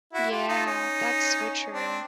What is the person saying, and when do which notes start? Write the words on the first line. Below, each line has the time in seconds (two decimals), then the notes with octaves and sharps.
Yeah, that's so true.
0.13 E4 F#4
0.31 F4 G4
0.49 D#4 F4
0.66 C#4 D#4
1.72 C4 D4